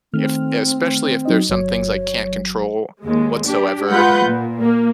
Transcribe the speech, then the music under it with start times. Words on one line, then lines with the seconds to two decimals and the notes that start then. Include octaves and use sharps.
if especially if there's some things I can't control whatsoever,
0.14 D#3 A3 C4 F6
1.25 F#3 D#4 D#5
1.50 G1 F#3 C#5
3.02 D#2 G#3
3.44 D4 G4
3.91 G#3 F4 B4 F#5 G6
4.26 A#2
4.62 A#3